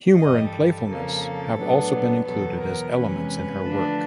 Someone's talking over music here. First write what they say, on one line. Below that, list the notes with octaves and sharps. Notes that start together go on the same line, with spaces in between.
Humor and playfulness have also been included as elements in her work.
G2 E3 G3 D#5
A4
F2 C#3 F3 A#3
A2 F#3 B3 D4
E2 B2 F#3 B3 A4
A#4
E2 C3 E3 G#3 C#4 B4
D3 F3 A3 D4